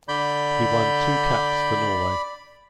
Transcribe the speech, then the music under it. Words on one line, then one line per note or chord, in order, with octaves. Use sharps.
He won two caps for Norway.
D3 D5 B5 G6